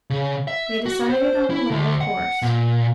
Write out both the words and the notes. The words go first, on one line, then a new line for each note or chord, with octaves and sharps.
We decided on the latter course.
C#3
E5
F#4
C5
E4
D2
F#5
A#2